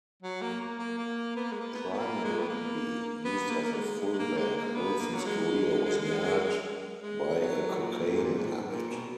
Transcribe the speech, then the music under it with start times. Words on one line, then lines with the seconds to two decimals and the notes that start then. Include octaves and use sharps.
Primarily used as a fullback, Wilson's career was marred by a cocaine habit.
0.23 F#3
0.42 A#3
0.60 A#3
0.79 A#3
0.98 A#3
1.36 B3
1.44 A#3
1.52 G#3
1.60 A#3
1.74 B3
1.93 B3
1.98 A#3
2.24 G#3
2.39 B3
2.49 A#3
3.24 B3
3.50 A#3
3.64 A#3
3.75 G#3
4.01 G#3
4.13 G#3
4.19 A#3
4.38 G#3
4.57 A#3
4.75 B3
5.00 A#3
5.14 F#3
5.26 G#3
7.02 G#3
7.40 F#3
7.77 A#2
8.15 G#2
8.25 A#2
8.34 G#2
8.45 A#2
8.53 G#2
8.72 A#2
8.91 B2